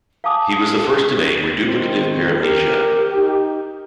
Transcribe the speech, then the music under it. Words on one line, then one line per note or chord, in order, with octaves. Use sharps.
He was the first to name reduplicative paramnesia.
F5 F#5 G#5 A5 D6 D#6
D#3 C4
G4 A#4
D#4